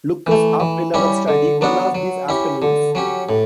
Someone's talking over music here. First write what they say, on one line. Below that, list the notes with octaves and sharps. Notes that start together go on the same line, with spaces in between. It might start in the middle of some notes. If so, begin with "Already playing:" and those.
Look us up in our study one of these afternoons.
E3 A3
E3
G3 C#4 E4 G4
D3
F#3 B3 D4 F#4
F#3
C#4 E4 G4
D3
F#3 C#4 G4
A2